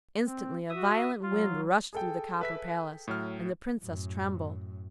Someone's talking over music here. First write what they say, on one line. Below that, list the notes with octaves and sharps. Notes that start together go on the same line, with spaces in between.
Instantly a violent wind rushed through the copper palace, and the Princess trembled.
C4
F#4 E5 D#6
F#3 F4
G#4 A4 G5
B4 E5 B6
A2 F#3 F6
F#2 A2